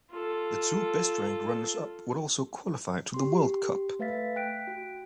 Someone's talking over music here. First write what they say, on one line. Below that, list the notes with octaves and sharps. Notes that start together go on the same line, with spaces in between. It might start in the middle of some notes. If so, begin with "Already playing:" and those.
The two best ranked runners up would also qualify to the World Cup.
F4 A4
G4 C6
A3 B4 E5 F5 A6 B6
G5 F#6 B6 D7
F#4